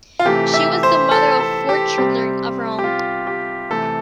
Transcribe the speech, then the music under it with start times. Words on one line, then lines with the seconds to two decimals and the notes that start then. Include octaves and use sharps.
She was the mother of four children of her own.
0.19 F4
0.25 C3 E3 A3 G4
0.54 E5
0.83 C5
1.11 A4
1.40 A4
1.69 G4
1.98 C3 G3 C4
2.79 G4
2.84 F4
3.27 G4
3.70 C3 E3 A3 C4 A4